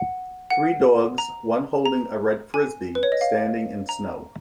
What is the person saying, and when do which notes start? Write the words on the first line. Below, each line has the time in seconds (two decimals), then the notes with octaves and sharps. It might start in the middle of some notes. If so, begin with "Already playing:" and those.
Three dogs, one holding a red Frisbee, standing in snow.
Already playing: F#5
0.50 F#5
1.18 A#5
1.85 A#5
2.54 G#5
2.95 B4
3.03 C#5
3.12 D#5
3.21 F5
3.89 A#5